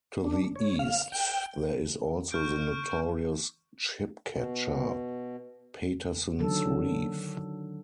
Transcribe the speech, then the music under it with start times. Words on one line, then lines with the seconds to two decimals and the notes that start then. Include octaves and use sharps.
To the east there is also the notorious "ship catcher", Paterson's Reef.
0.24 D4
0.56 C#5
0.79 F5
1.12 G5
2.31 C#6 F6 G6 D7
4.31 B2
6.39 D3 D#3 F#3 A4